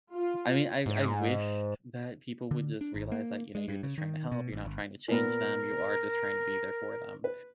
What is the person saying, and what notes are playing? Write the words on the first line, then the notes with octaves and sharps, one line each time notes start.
I mean, I I wish that people would just realize that, you know, you're just trying to help, you're not trying to change them, you are just trying to be there for them,
F4
G#2
D3
D4
G#1
A#3
G#3
G2
C#3
D#3
B2
A1
G1
A#2 B3 A#4
B4